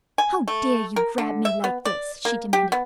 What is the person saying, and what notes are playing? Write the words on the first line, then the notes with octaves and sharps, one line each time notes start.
"How dare you grab me like this?" she demanded.
G#5
A3
A#4
D3
E5
B3
D5
A#3
G4
B3